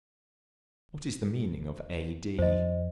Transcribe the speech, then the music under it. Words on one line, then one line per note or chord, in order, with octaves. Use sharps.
What is the meaning of A.D.?
F2 C5 D#5